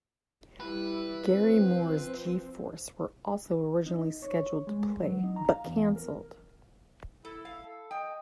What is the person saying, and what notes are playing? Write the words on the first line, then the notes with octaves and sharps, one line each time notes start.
Gary Moore's G-Force were also originally scheduled to play but cancelled.
G3 E4 B4
F3 C4
D#4
C#5
G#3
F#3
D#4
A#5
F5
E2
A#4
E4 A4
F5
A4
D#5 G5